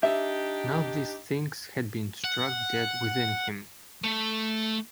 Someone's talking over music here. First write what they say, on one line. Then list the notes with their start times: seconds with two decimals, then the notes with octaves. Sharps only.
Now these things had been struck dead within him.
0.03 D4 D#4 G4 E5
2.24 F#5
4.04 A3